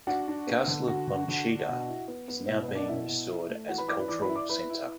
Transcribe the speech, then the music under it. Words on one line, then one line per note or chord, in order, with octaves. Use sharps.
The Castle of Bonchida is now being restored as a cultural center.
D4 F#4 F#5
D4
B3
D3
D3 F#4 F#5
D3
D3
D4
B2
E4
B3
B3
B2 E4 E5
B4
B2
D4 D5
B2 E4 E5
B2
E4
A3
E3 F#4 F#5
B4 B5
E3 D5 D6
B4 B5
E3 D5 D6
B4 B5
E4
D5 D6
E4 B4 B5
E4